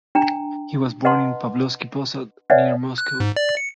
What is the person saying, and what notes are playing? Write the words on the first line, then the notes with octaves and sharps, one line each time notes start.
He was born in Pavlovsky Posad near Moscow.
D4 G5 A#5
B4 D#5 F#5 A5 A#5 C6
B4 C#5 D5 E5 F#5 G#5
F#6
G#2
D5
C#7